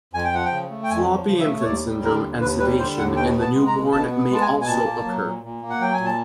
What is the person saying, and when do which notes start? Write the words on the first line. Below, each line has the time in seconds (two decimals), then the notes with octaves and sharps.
Floppy infant syndrome and sedation in the newborn may also occur.
0.13 F2 G#5
0.24 G5
0.33 F3 F#5
0.45 G5
0.52 C#3
0.70 A3
0.83 G5
0.90 F2 G#5
1.08 F3
1.27 C#3
1.40 E5
1.46 A3
1.60 C#5
1.64 D#2 D5
1.83 G3
2.03 D3 A#4
2.22 D#2
2.40 D#2 B4
2.59 G3 B4
2.78 D3 C5
2.98 D#2 F#5
3.15 B2 G5
3.35 B3
3.41 A5
3.53 G#3
3.67 A#5
3.73 B2
3.92 B2 A5
4.11 B3
4.30 G#3 A5
4.41 G#5
4.48 B2
4.61 G#5
4.66 A#2 A5
4.85 A#3
5.05 F#3
5.23 A#2
5.43 A#2
5.62 A#3
5.70 F#5
5.80 F#3 G5
5.94 G#5
6.00 A#2
6.05 A5